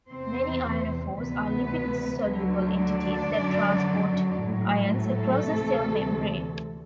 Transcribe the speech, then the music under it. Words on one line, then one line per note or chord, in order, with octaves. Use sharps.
Many ionophores are lipid-soluble entities that transport ions across a cell membrane.
E2 C3 E3 C4 C5
D2 C3 E3 B3 B4
D2 D3 F#3
D4 D5
F#2 D3 F#3
A2 F#3
A3 A4
D2 C3 E3